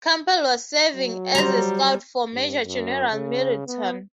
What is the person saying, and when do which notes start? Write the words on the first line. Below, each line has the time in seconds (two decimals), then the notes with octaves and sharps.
Campbell was serving as a scout for Major General Middleton.
0.95 F#3
1.35 G3 C5 A#5
2.33 G2
2.65 F#2
3.11 C#3
3.66 B3